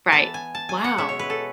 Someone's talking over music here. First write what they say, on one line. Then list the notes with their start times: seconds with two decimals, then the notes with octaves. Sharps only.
Right, wow.
0.12 E3 B3 A5
0.34 G#5
0.55 A5
0.69 G#5
0.84 F#5
0.97 B2 G#3 C#4 E5
1.09 C#5
1.19 B4
1.30 A4